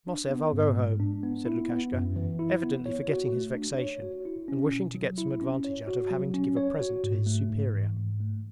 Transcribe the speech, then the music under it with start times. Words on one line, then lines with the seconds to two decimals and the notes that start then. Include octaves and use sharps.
'Mosev, I'll go home,' said Lukashka, evidently forgetting his vexation and wishing to get some advantage out of having to give a present to his superior.
0.07 D4
0.30 B3
0.53 G#2
0.77 G#3
1.00 D4
1.23 B3
1.46 E4
1.69 B3
1.93 F#2
2.16 E3
2.39 E4
2.63 B3
2.86 C#5
3.08 F#4
3.32 A3
3.55 D4
3.78 C#5
4.02 F#4
4.25 E4
4.48 C#4
4.71 B2
4.95 F#3
5.18 E4
5.41 C#4
5.64 C#5
5.87 F#4
6.11 F#3
6.34 C#4
6.57 C#5
6.80 F#4
7.04 G#2
7.26 A3
7.50 G#2
7.74 E3
7.96 G#2
8.20 A3